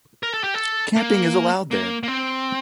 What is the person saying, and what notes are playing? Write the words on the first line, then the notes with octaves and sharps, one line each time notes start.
Camping is allowed there.
A#4
A4
G4
A4
A#3
A#3
A#3
C4